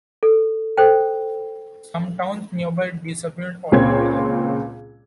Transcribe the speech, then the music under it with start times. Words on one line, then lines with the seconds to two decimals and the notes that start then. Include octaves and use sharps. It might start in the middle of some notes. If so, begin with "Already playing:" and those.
Some towns nearby disappeared altogether.
0.23 A4
0.77 A4 C5 G5
3.72 C#2 A#2 C4 C#5 G#6